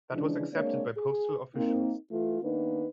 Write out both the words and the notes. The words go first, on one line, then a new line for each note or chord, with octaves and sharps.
That was accepted by postal officials.
C#3 E3 F3 G#3 D4
G#3 A#3 C4 D4 C#5
G#4
A#3 C4 D#4
E3 A3 F4
D#3 A#3 B3 D4 D#4 B4